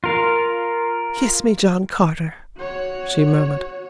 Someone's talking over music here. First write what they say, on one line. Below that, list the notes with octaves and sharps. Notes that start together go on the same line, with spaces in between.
"Kiss me, John Carter," she murmured.
F4 A#4 F5
F#4 C#5